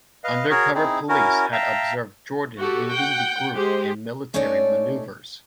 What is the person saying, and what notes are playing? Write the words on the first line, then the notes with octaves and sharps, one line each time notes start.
Undercover police had observed Jordan leading the group in military manoeuvres.
B4 D#5 F5
F#4 G#4 A#4 C#5
C4 D#4 E4 G#4
C#4 E4 F#4 A#4
E5 F5 G5 A5 A#5
F#4 G4 A4
F#5 G5
G#3 G4 C5
A3 C#4 D#4 A4 C#5 D5